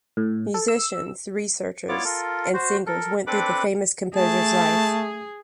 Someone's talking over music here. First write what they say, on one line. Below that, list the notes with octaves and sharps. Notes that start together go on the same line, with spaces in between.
Musicians, researches and singers went through the famous composer’s life.
A2
A4
E6
B3 E4 F4 C#5 D5 D6
F4 A4 A#4
F#4 C5
A4 A#4
C4 D4 A4 B4 B5 D6
A3 G#4 A5